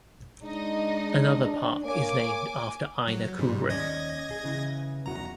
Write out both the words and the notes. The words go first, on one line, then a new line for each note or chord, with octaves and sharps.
Another park is named after Ina Coolbrith.
G#3 D4 D#4 D#5
D4
A#3 C#5 G#5 D6
F#3
G#2 C3 F#3 G3
D#2 C#4 D5 D#5 G#6 A#6
G#4
C#3 E3
B1 E2 F#4 A#5